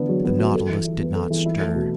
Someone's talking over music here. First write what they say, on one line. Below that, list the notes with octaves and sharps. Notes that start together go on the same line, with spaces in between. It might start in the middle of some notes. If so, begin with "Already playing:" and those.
The Nautilus did not stir.
Already playing: D3 E3 B3
F#3
B3
F#4
A4
E3
E4
B3
A4
E3
E4
A3
B2